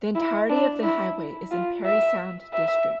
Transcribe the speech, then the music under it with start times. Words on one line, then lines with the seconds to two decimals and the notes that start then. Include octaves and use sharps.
The entirety of the highway is in Parry Sound District.
0.15 E4
0.49 D4
0.83 E4
1.51 F4
1.85 E5
2.53 E5